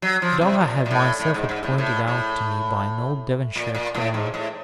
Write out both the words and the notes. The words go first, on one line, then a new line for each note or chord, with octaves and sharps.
The dog I have myself had pointed out to me by an old Devonshire crone.
F#3
F3
C3
A#2
A#2
A2
A2
G#2
G#2
A2
A2
A2
A#2
A#2
A2
G#2
A2